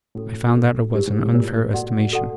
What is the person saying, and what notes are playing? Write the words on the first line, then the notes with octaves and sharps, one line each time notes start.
I found that it was an unfair estimation.
A2 C#4 F#4 A4
C#4 F#4 A4
G2 E4 G4 A#4 C#5
G#2
A2
A#2 E4 G4 A#4 C#5
F#4 A4 D5 F#5 A5
F#4 A4 D5 F#5 A5